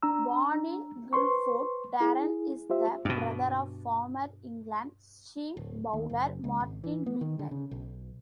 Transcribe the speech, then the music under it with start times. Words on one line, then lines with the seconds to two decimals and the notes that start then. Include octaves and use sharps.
Born in Guildford, Darren is the brother of former England seam bowler Martin Bicknell.
0.03 D4 A#5 E6
1.13 B4 C5 C6 C#6
2.00 E4 G#4
2.70 F4 G4 C5 E5
3.05 G2 B2
5.57 D1
5.93 D#2
6.10 F#1
6.44 C#2
6.60 G#1
6.84 E3
7.06 B3
7.21 D#3
7.39 D3
7.51 C#3
7.71 B1